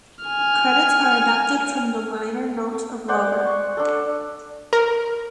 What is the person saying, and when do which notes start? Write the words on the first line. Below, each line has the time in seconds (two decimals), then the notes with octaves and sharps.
Credits are adapted from the liner notes of "Lover".
0.25 G#5 F6
3.08 C5 D5 F#5 D6
3.46 C#6
3.77 D4 A4
4.73 A#4